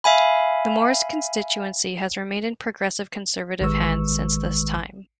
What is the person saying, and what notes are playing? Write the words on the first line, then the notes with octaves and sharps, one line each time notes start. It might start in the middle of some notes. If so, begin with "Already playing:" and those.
The Morris constituency has remained in Progressive Conservative hands since this time.
E5 F5 G#5 B5
A1 D#3 G#3 B4 C#6 E6